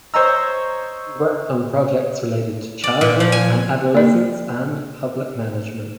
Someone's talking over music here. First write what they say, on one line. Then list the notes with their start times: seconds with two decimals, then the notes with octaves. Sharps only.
She worked on projects related to childhood and adolescence and public management.
0.14 C5 C#5 D#5 A#5 E6
2.84 D5
3.01 A#2
3.20 F3
3.32 G#5
3.94 A#3 D5